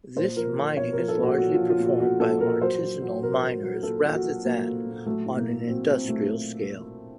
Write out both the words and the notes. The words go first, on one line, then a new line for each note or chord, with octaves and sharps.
This mining is largely performed by artisanal miners, rather than on an industrial scale.
A#2 C5
F3 A#4
F3
A#2 C#5
A#4
F3
A4
A#2 F#4
A#2 F#4
F4
F3
F4
A#2 F#4
F3 F#4
A#2 A4
A#2 A#4
F#3 C5
F#3
F#3
F#3 A#4
F#3
F#3
A#2 A4
A#2
F#4
F#3
F#3 A#3
F#3
A#2
F#3 A3
A2
A#3
F#3
F#3 C4
A2 C4
F#3 A3